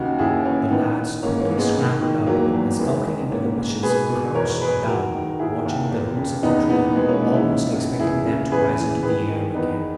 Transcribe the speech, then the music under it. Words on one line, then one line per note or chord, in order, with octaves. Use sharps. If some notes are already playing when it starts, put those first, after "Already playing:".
The lads quickly scrambled up and, skulking into the bushes, crouched down, watching the roots of the tree, almost expecting them to rise into the air again.
Already playing: D#2 C#3 D#4 F#4
D#2 E4 G#4
E3 C#4 E4
D#3 B3 D#4
D#3
G#2 A#3 C#4
A#3 C#4
G#2
G#3 B3
D#3
D#3
E2 F#3 A#3
E2
D#3 G#3 B3
D#3
G#2 A#3 C#4
G#2
B2 G#4 B4
B2
E2 A#4 C#5
E2 G#4 B4
D#3 F#4 A#4
D#3
D#2 E4 G#4
D#2
E2
C#3
E2 B3 D#4
E3 B3 D#4
B2 G#3 B3
A#3 C#4
B2 B3 D#4
C#4 E4
C#2
C#2
E2 E4 G#4
C#3
E2 G#4 B4
E3
D#3 G#4 B4
D#3
E2 B3 D#4